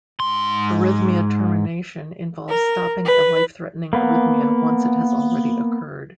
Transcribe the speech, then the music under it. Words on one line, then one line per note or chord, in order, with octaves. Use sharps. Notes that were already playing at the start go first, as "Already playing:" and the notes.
Arrhythmia termination involves stopping a life-threatening arrhythmia once it has already occurred.
G#2 C6
A#4
B4
A#3 B3